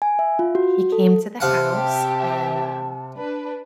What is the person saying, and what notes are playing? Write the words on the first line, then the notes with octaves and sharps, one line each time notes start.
he came to the house, and, um
G#5
E5
F4
F#4
A4
C3 F5 F#5 A5
G4 E5
D4 B4